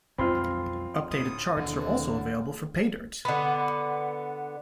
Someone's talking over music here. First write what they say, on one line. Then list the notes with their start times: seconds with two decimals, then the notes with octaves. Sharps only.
Updated charts are also available for Paydirt!
0.18 B1 F2 G#3 C4 F4 B5 C6
1.11 D2 A2 D#6
1.57 D#2 B2 D3 E3
3.25 D3 B3